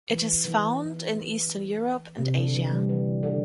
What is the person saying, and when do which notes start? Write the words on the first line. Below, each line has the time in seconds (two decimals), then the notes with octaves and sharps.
It is found in eastern Europe and Asia.
0.10 E3
0.45 E3
2.18 C3
2.37 D3
2.54 E3
2.71 G3
2.89 E3
3.23 D3